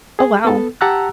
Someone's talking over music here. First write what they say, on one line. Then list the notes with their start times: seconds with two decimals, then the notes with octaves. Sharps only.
Oh wow.
0.19 G#4
0.45 B3 A4
0.81 G4 F#5 A5 A#5 E6 F#6